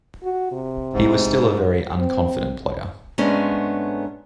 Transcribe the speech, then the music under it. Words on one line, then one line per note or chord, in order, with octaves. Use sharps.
He was still a very unconfident player.
F#4
C3
G#2
C4
G#2 G#3 A3 B3 C#4 D4